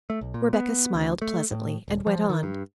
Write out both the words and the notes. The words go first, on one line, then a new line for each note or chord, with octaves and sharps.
Rebecca smiled pleasantly, and went on.
A3
B1
A#2
B3
D2
A3
A2
D#1
F3
D#3
G2